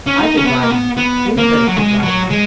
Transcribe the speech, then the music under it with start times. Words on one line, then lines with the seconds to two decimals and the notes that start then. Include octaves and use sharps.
I could ride him; anybody could ride him.
0.07 C#4
0.18 D#4
0.37 C#4
0.44 B3
0.63 A#3
0.71 B3
0.97 B3
1.38 A#3
1.67 F#3
1.77 G#3
2.03 F#3
2.30 G#3